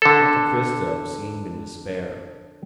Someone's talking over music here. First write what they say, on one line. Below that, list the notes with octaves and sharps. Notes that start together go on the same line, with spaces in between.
Monte Cristo seemed in despair.
D3 A4